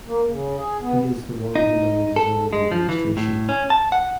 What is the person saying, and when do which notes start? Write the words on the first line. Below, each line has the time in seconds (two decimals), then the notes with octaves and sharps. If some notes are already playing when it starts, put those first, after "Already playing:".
He is the one who manages all the administration.
0.07 A#3
0.28 C#3
0.57 G#4
0.80 B3
1.56 D#4
2.16 A4
2.53 G#3
2.72 F3
2.89 E3
3.17 A2
3.49 C#4
3.70 A5
3.92 F#5